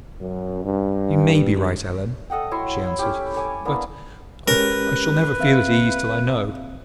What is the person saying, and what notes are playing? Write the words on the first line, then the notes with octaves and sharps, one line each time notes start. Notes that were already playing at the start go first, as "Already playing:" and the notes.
'You may be right, Ellen,' she answered; 'but I shall never feel at ease till I know.
F#2
G2
A4 D#5 F#5 G5
F#3 E4 C6 C#6
C#4 E4 G4
A4 C#5 G#5 D6
A#3 B3 D4 E4
G#3 C#4 G4 A#4 B4
C4 E5 F5